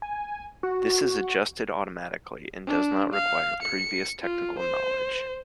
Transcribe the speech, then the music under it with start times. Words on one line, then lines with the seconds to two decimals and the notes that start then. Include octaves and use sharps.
This is adjusted automatically and does not require previous technical knowledge.
0.02 G#5
0.63 F#4
2.67 D4
3.13 F5
3.62 C#7
4.23 F4
4.59 C5